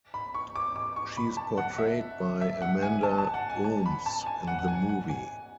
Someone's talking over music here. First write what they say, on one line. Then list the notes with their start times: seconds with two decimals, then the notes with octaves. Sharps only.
She is portrayed by Amanda Ooms in the movie.
0.14 B5
0.34 C#6
0.56 D6
0.76 D6
0.96 C#6
1.17 B5
1.37 A5
1.58 F#5
1.78 E5
2.41 E5
2.62 F#5
2.82 G#5
3.03 A5
3.18 A5
3.34 F#5
3.50 G#5
3.64 A5
3.86 B5
4.06 A5
4.26 G#5
4.47 F#5
4.59 F#5
4.68 G#5
4.89 F#5
5.09 G#5